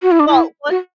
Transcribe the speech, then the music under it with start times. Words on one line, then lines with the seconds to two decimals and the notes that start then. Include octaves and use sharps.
Well, what
0.02 F#4
0.11 E4
0.20 D4
0.28 E4
0.70 F#4